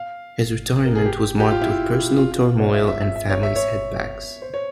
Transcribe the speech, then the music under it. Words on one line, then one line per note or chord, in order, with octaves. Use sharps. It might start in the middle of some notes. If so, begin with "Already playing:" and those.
His retirement was marked with personal turmoil and family setbacks.
Already playing: F5
A#4
G#4
G4
G4
F4
E4
F4
F4
C#5
E5
E5
E5
E5
C#5
E5
C#5
C5
C#5